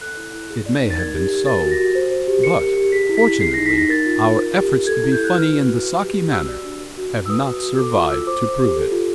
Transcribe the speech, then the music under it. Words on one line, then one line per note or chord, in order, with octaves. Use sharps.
It may have been so; but, fortunately, our efforts to be funny in the Saki manner have not survived to prove it.
A4 F#6
E4
E4
G#4
D5
D#4
A6
A#4 G#6
G4
G4
A#4 A6
F#4
A#6
F#4
C5
C5
G4
A#4 C#7
G4
G4
G#4 B6
E4
B6
E4
G#4 C7
A#6
D#4
B6
D#4 A#6
A#4 A6
F4
F4
A#4
G4
G4
A4 G#6
E4
G6
E4
F#6
B4 F6
F#4
F#4
B4
G4
G4
F#4 E6
D5
D4
A#4
F#4
F#4
E6
B4 D#6
F#4
F#4
A4 D6
F4
F4 E6
C5 D6
C5
G4
A4
F4